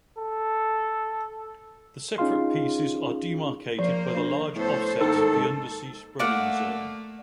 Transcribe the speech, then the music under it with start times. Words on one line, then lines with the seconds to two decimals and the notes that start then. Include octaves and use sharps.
The separate pieces are demarcated by the large offsets of the undersea spreading zone.
0.18 A4
2.18 C#4 D#4 F4 G#4 F5 C6
3.79 F3 A#3 C5
4.16 D4
4.56 A2 B3 A4 C5
5.01 G#2 D#3 A#3 D#4 A4
6.19 A3 A#3 D5 F5 F#5